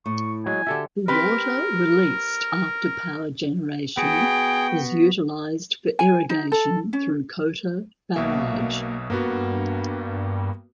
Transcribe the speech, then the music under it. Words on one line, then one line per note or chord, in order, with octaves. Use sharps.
The water released after power generation is utilised for irrigation through Kota Barrage.
A2 C#6
F#3 G#3 G#5
D3 F#4 G4 A4 E5
C4 G4 A#4 B4
B3 F#4 G#4 G5 D7
G#5
D#4
A4
C#4
B1 B2 A#3 E5
G2 A#3 B3 F#4